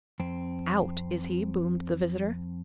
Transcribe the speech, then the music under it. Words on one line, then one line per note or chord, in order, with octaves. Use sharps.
"Out, is he?" boomed the visitor.
F2 C4